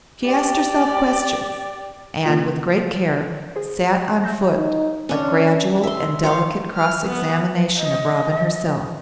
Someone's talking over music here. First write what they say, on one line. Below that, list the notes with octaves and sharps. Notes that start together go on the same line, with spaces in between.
She asked herself questions and with great care sat on foot a gradual and delicate cross-examination of Robin herself.
G4 D5
C#3 A#3 F4
G#4 C5
E5 G6 A#6
D#4
C#4 D4
E5 C6
C5 C#5 F5
F6
B3
D#5